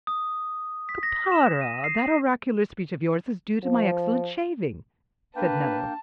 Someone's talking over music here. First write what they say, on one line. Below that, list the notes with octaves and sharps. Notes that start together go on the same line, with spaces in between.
"Caparra, that oracular speech of yours is due to my excellent shaving," said Nello.
D#6
B6
A#6
E7
D#7
C7
F3
A#3 D4 B4 G5 A5